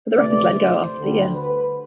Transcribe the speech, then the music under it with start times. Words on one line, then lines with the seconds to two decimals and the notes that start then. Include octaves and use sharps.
But the Rapids let him go after the year.
0.16 D2 C3 E3 A3 D5
0.56 C5
0.96 D2 D3 G3
1.36 B4